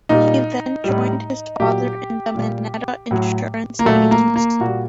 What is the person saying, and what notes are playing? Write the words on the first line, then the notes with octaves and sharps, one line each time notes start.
He then joined his father in the Mineta Insurance Agency.
A#2 G3 D#4
A2 G3
A#2 F#3 G4
A#2 G3
A2 F#3
A#3
A#2 F#3 A3
A#3
A#3
A#2 G3 F#4